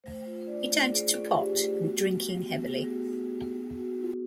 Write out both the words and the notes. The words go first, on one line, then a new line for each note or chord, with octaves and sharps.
He turned to pot and drinking heavily.
A3 C5
F4
D4 D5
A3
A3 G#4
F4
D4 G4
A3
B3 F#4
F#4
D#4
B3
B3 G#4
F#4
D#4
B3
A#3
F#4
D#4